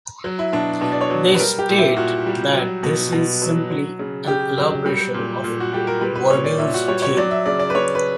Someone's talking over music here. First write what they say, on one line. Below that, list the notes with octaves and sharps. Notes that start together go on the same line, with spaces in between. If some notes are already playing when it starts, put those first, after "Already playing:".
They state that this is simply an elaboration of Bourdieu's theory.
F#3
E4
B2 D4
B2 D4
D5
C#5
F#3
B4
G3 A#4
G4
A#2
E4
A#2 F#4
G3
F#3
B2
B2
F#3
F#3
C#3
C#3 G4
F#3
G3
A#2
A#2
F#4
G3 G4
A#4
G3 B4
B4
A#2 C#5
D5
A#2 E5
F#4
G3 C#5
C#5
F#3 D5
E5
C#3 D5
D5
B4
C#3 C#5
B4